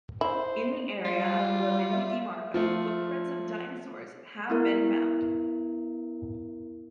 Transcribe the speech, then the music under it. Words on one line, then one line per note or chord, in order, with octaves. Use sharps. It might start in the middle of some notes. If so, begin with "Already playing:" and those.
In the area of Lavini di Marco footprints of dinosaurs have been found.
E4 C5
G3 F4 D5
E5
F3 A3
B3 E4 A#4